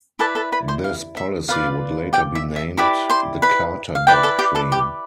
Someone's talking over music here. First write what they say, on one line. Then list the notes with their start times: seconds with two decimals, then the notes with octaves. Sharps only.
This policy would later be named the Carter Doctrine.
0.19 E4 A4 B4 D5 A5
0.35 A4 A5
0.52 B4 B5
0.68 C5 C6
0.84 F5
1.17 E5
1.48 F4 B4 D5 F5
2.13 G4 G5
2.35 E5
2.56 E5
2.77 E4 G4 B4 D5 B5
3.10 C5 C6
3.42 B4 B5
3.95 F5
4.07 E4 G4 B4 D5 G5
4.23 A4 A5
4.39 G4 G5
4.55 A4 A5
4.72 G4 G5